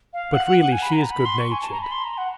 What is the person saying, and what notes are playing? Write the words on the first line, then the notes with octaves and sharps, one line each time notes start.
But really she is good-natured.
F5
F#5
F#5
F#5
G#5
B5
A#5
B5
C6
C#6
G#5
A5
A#5
B5
C6
A#5
F#5